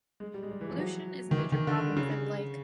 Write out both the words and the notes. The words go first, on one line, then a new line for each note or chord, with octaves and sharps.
Pollution is a major problem for the lake.
G#3
G3
G#3
G3
E3
F3
F#3
D#3
E3
D#3
D3
C#3